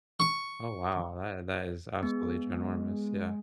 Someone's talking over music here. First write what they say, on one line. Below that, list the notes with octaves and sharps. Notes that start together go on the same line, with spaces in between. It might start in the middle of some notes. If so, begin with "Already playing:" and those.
Oh, wow. That i that is absolutely ginormous. Yeah.
C#6
G#3 B3